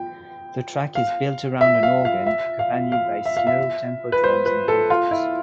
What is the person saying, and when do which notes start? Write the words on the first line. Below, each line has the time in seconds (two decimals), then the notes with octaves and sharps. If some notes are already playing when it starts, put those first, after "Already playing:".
The track is built around an organ accompanied by slow tempo drums and vocals.
Already playing: G5
0.95 F5
1.61 E5
1.83 F5
2.05 F5
2.26 E5
2.59 F5
2.92 F5
3.26 E5
3.37 F5
3.47 E5
4.12 B4
4.24 C5
4.46 B4
4.68 A4
4.90 F4
5.11 E4